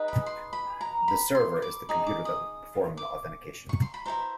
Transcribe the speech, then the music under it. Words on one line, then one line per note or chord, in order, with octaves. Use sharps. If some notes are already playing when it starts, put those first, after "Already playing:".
The "server" is the computer that will perform the authentication.
Already playing: D#4 G#4 B4 D#5
B5
C6
B5
A#5
B5
C6
D6
D#4 G#4
D6
D#6
D6
C#6
C6
B5
E4 A4 C5 A#5